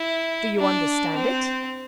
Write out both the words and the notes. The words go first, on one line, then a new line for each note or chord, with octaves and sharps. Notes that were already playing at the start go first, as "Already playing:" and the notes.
"Do you understand it?"
Already playing: E4
D4
C4